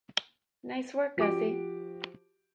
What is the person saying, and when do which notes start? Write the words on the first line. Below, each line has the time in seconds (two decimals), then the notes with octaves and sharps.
Nice work, Gussie.
1.17 F3 F#4 G4 D6 D7